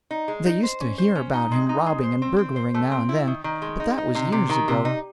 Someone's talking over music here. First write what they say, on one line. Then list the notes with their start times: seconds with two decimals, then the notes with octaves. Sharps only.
They used to hear about him robbing and burglaring now and then, but that was years ago.
0.11 D#4
0.28 G#3
0.45 D#4
0.63 C5
0.81 C#4
0.98 C5
1.15 C#4
1.34 D#4
1.52 G#3
1.69 D#4
1.86 G#3
2.03 C5
2.22 C4
2.38 C4
2.56 C5
2.74 A3
2.91 C4
3.09 E4
3.27 D#3
3.44 D#3
3.62 G#3
3.80 D#4
3.98 D#4
4.15 C3
4.32 C3
4.50 D#3
4.68 C3
4.85 D#4